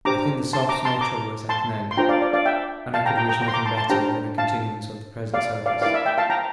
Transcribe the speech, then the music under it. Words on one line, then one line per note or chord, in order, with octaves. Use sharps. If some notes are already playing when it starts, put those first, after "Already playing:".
I think the soft snow trouble is at an end, and I could wish nothing better than a continuance of the present surface.
D4 G4 C5 A#5 D6
A5 C6
A#5 D6
A5 C6
A#5 D6
A5 C6
C6
D4 F4 A4 C5 G5 A#5
D5 F5
D5
D5 F5
E5 G5
F5 A5
G5 A#5
G5 A#5
G5 A#5
G5 A#5
C6
A#5 D6
A5 C6
A5 C6
D4 G4 C5 G5 A#5
F5 A5
D5 F5
D5 F5
E4 A#4 D5 F5
E5
E5 G5
F5 A5
G5 A#5